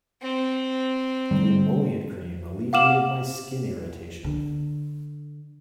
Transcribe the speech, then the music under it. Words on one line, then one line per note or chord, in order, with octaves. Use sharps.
The emollient cream alleviated my skin irritation.
C4
D3 G3
F5 F#5 D6 F6 E7 F#7
D3